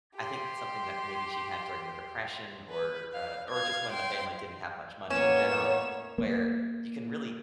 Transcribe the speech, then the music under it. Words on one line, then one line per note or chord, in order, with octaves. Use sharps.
I think, something that maybe she had during the depression or, uh, or just when the family didn't have much money in general, where you can really,
G4 C6
B4
F5
F5 G#6
G5 C6
A2 A#3 B3 C#4 C#5 E7
A#3